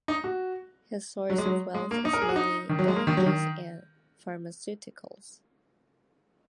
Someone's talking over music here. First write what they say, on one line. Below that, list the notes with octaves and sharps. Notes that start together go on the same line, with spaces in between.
His source of wealth is mainly beverages and pharmaceuticals.
D#4
F#4
F#3
G#3
F#3
G#3
A#3
D#4
A#4
G#4
F#4
D#4
D#3
F#3
G#3
A#3
D#3
F#3
D#3